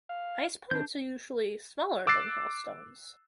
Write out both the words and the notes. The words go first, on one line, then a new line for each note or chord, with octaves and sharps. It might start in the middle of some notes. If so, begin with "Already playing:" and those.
Ice pellets are usually smaller than hailstones.
F5
D#3 C4 D4 G6
D6 E6 F#6 A6 C7